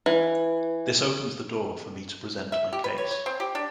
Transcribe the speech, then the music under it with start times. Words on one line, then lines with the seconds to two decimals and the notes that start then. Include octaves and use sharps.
This opens the door for me to present my case.
0.06 E3
2.52 E5
2.73 G4
2.84 B4
2.98 C#5
3.11 C#5
3.26 C4
3.40 G4
3.55 D4